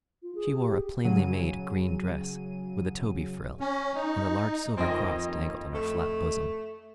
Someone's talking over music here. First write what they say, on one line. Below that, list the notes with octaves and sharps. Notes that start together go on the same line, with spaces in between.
She wore a plainly-made green dress, with a toby frill; and a large silver cross dangled on her flat bosom.
F4
G#4
G4
C#3 F#3 G#4 D#7
C#4
D#4
F2 C4 D#5
D#3
D#2
A3